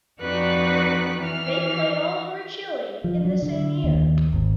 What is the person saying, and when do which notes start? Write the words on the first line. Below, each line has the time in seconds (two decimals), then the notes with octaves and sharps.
They played all over Chile in the same year.
0.20 F2 D#4 F#4 B4 D5 F#6
1.19 E3 F6
3.04 F3
3.25 F#3
3.42 D3
3.84 D#2
4.33 G#1